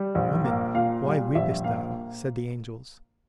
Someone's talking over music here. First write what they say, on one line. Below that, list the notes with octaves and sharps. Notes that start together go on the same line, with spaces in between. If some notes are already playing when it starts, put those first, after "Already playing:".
"Woman, why weepest thou?" said the angels.
Already playing: G3
A#1
A#3
A#2 F5
G3
A#1 E5
A#3 F5